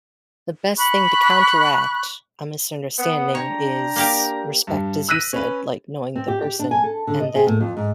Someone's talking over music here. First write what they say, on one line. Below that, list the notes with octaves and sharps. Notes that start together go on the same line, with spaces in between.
the best thing to counteract a misunderstanding is respect, as you said- like, knowing the person and then
B5 C#6 F#6
B3
D4 C#5 G5 A#5
A#3 G4 A#4
G2
E6 F#6 A#6 B6 D#7
C#4 B4
C4
G4
G4
D4
G#5
A4
D3
D#5
G#4
A2
F2
G#2